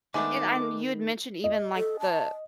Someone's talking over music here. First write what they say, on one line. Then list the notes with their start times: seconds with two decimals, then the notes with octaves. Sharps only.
And I'm you had mentioned, even, like, the
0.14 D#3 G#3 A3 B3 D4 D6
1.44 D#5
1.76 A4
1.99 A5